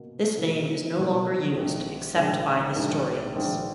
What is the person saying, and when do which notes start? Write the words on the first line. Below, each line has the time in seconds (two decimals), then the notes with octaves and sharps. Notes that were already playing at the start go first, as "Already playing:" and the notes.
This name is no longer used except by historians.
Already playing: B2 A#3
0.37 B2 A#3 E4
0.97 B2 A#3 E4
1.56 A#1 G#2 D#3
2.16 A#1 G#2 D#3
2.76 A#1 G#2 D#3
3.36 A#1 G#2 D#3